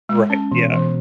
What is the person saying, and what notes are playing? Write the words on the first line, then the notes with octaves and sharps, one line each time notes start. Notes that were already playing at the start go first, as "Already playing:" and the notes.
Right, yeah.
G#3
C#4
B2 E3
E3